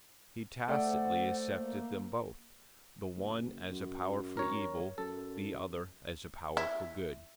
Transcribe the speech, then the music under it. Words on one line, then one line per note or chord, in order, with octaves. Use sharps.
He tacitly accepted them both, the one as a power for evil, the other as a power for good.
A3 D5 F#5
C5
A#3
F#1
F#2
A#4 C#5
F#2 A4
E4